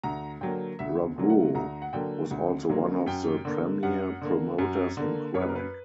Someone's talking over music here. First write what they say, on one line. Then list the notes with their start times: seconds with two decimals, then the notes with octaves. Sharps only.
Rougeau was also one of the premier promoters in Quebec.
0.04 D2 A#5
0.41 D3 F#3 A#3 G5
0.79 D2 E5
1.18 D3 F#3 A#3
1.30 F#5
1.55 D2 A#5
1.82 F#5
1.93 D3 F#3 A#3 G5
2.31 D2
2.69 D3 F#3 A#3
3.06 F#2 G5
3.45 D3 A#3
3.83 F#2 F#5
4.22 D3 A#3
4.59 F#2
4.97 D3 A#3
5.34 F#2 C#5
5.41 B4
5.49 A#4
5.56 B4